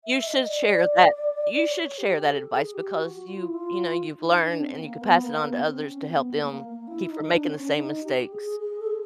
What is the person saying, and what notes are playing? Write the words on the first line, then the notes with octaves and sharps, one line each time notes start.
You should share that you should share that advice because you you know, you've learned and you could pass it on to others to help them keep from making the same mistakes.
E5
D#5
D5
D5
C#5
G4
A4
G#4
G4
F#4
F#4
F4
E4
F4
D#4
D4
C4
A#3
B3
A#3
B3
C4
C#4
C4
B3
B3
A#3
A#3
E4
D#4
D4
C4
C#4
D4
D#4
G4
G#4
G#4
A4
G#4